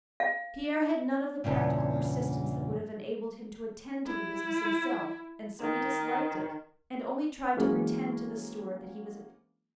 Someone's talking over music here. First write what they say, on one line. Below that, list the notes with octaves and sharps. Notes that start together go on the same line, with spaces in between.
Pierre had none of the practical persistence that would have enabled him to attend to the business himself and so he disliked it and only tried to pretend to the steward that he was attending to it.
F5
E2 G2 A#2 C#3
E4
D#3
E3 F#3 G#3 A#3 C4 C#4